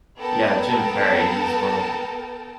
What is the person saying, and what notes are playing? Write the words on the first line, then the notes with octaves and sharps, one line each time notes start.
Yeah, Jim Carrey. He's one of the,
B3 A4 A#4 G5 A5